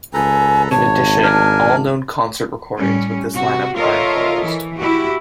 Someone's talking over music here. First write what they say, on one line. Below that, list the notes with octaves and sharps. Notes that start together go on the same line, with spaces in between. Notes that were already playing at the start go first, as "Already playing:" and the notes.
In addition, all known concert-recordings with this line-up are enclosed.
C#2 A4 B4 G#5 A#5
G#1 C#5 A5
D4 A#4 G#5
A2 G3 C#4
C3 F#4
F4 A4 A#4 C#5 D#5 E5
E3
E4 F#4 G4